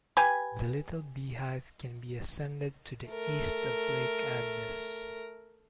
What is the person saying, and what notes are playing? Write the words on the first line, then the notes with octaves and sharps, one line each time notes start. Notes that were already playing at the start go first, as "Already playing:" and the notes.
The Little Beehive can be ascended to the east of Lake Agnes.
G4 B4 G#5
A3 A#4